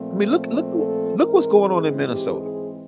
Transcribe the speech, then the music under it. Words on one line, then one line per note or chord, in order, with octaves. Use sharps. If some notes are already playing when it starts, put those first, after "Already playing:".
I mean, look look who Look what's going on in Minnesota,
Already playing: A#2 F3 A3 C4
A4
G#2 E3 G#3 C4 A#4
G#4
G4
G#4